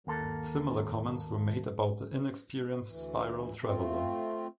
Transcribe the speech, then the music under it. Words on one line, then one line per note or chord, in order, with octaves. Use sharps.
Similar comments were made about "The Inexperienced Spiral Traveller".
D#2 A#3 A4
D2 E3
A3 C4 F4